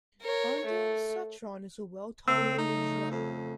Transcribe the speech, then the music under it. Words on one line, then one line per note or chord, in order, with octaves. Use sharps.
Ondansetron is a well-tolerated drug.
A#4 C#5
A3
C#3 A3 C4 E6
D#4
F2